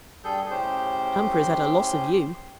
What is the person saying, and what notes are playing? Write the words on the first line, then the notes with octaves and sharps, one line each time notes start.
Hamper has had a loss of you.
G2 G3 G#4 A4 G6
A2 C#3 C#4 G4 C5 G6